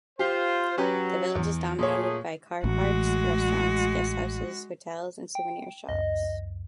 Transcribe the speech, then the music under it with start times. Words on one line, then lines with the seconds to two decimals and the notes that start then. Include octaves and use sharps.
The village is dominated by car parks, restaurants, guesthouses, hotels and souvenir shops.
0.19 F4 G4 C5
0.78 F#3 C#4 G4 B4
1.35 E2
1.79 A#2 A3 A#3 G#4 C#5
2.64 A1 G#3 F#4
5.35 G5
5.89 C#2 F#2 D#5